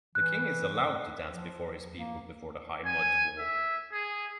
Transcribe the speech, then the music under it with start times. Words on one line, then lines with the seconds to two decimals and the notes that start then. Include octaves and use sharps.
The king is allowed to dance before his people before the high mud wall.
0.15 E3 F#6
1.27 F3
1.97 A#3
2.86 G#5
3.39 E5
3.93 G#4